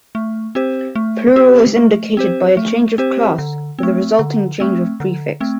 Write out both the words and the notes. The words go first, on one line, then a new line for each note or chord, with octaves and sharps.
Plural is indicated by a change of class, with a resulting change of prefix.
A3
C4 G4 C5
A3
C4 G4 C5
A3
C4 G4 C5
A3
C4 G4 C5
D3
A3 C4
D3
A3 C4
D3
A3 C4